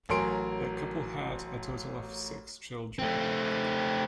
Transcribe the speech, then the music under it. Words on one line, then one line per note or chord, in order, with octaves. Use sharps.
The couple had a total of six children.
A1 F#3 A#4 G#5 C6 D7
A3 C4